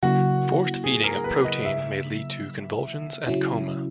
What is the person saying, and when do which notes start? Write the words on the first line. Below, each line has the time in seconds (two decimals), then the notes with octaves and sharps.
Forced feeding of protein may lead to convulsions and coma.
0.03 C#3 F#3 A#3 E4 F#4
0.84 G#4
1.04 A#4
1.24 B4
1.44 D#5
1.65 E5
3.27 C#3 F#3 C#4 E4